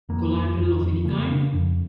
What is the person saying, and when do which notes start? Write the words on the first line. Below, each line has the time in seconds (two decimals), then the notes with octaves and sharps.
Collateral of any kind?
0.09 F2 A#3
0.34 F2
0.58 F2
0.82 F2
1.05 C#3 A#3
1.29 C#3
1.54 F2